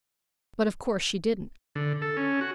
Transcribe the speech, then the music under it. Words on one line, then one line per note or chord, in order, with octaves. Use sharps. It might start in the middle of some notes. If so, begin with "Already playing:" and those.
But of course she didn't.
D3
A4
C#4
F#4